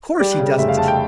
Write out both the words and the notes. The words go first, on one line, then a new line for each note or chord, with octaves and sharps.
Of course he doesn't.
G3 D5
C#3
F1 E5
F5
F2 A5
G5